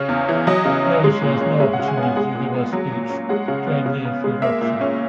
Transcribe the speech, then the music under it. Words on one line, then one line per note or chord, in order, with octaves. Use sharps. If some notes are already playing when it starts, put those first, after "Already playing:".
Knowing she has no opportunity to give her speech, Jane leaves with Roxy.
Already playing: C#3 C#4
E2
E3
F#3 D#5
C#3
C#4
G#3
A#2
C#4
G#3 E5
F#5
C#3
G#5
B3
G#5
G#3 F#5
A#2
B3
F#3
A#2
C#4
G#3 F#5
C#3
B3
C#3
B3
G#3
A#3 E5
A#2
C#4